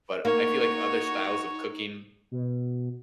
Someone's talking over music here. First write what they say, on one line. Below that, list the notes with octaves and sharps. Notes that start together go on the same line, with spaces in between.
But I feel like other styles of cooking
A#3 D#4 F#4 C#5
B2